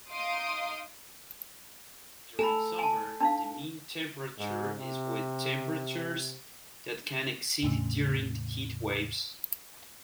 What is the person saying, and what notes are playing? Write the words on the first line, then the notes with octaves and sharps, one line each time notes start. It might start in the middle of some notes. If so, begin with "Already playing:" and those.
During summer, the mean temperature is with temperatures that can exceed during heat waves.
D#4 F5 C6 D#6 D7
A4 G#5 A#5 B5 E7
G#5 A5
D4 D#4 F5 A5
G#2
C3
E2 A2 C#3